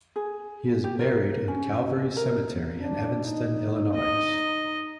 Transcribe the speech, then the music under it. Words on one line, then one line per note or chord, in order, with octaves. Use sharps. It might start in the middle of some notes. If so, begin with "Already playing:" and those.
He is buried in Calvary Cemetery in Evanston, Illinois.
G#4
G4
A#4
C#4
A#4
D4
D#4
D#5